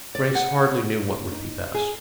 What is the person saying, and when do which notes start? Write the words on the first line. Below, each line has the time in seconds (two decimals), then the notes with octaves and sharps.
Grace hardly knew what would be best.
0.15 D5
0.35 F#5
1.32 D#4
1.75 G#4